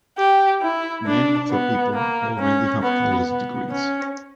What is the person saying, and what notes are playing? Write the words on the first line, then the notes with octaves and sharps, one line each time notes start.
Many of the people already have college degrees.
G4
E4
D4
B3
A#3
C#4
B3
B3
C#4